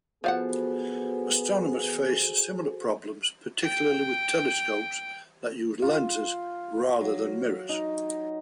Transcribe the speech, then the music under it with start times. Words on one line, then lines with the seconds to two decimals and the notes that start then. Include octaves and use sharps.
Astronomers face similar problems, particularly with telescopes that use lenses rather than mirrors.
0.24 F3 B3 F#4 G#4 A4 C5 F5 F#5
3.62 G5 D7
5.82 F4
7.01 F#3
7.69 D#4